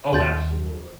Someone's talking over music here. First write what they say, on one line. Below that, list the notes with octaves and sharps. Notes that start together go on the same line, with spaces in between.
Oh, absolutely.
D#2 C6 G6 A6